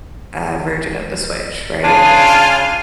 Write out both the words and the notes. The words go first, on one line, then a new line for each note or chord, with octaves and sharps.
uh, version of the Switch, right?
C#3 D4 F4 G#5